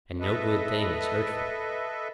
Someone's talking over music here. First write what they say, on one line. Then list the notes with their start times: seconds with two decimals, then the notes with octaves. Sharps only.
And no good thing is hurtful?
0.20 A4 B4 D#5 E5